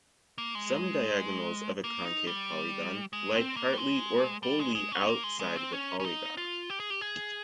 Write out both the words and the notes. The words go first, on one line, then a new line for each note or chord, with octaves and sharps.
Some diagonals of a concave polygon lie partly or wholly outside the polygon.
A#3
G#3
A#3
D#4
G3
G#3
C4
A#3
G3
G#3
G3
G#3
G#3
C#4
A#3
G#3
G#3
C4
C#4
C#4
D#4
F4
G4
G#4
G4
G#4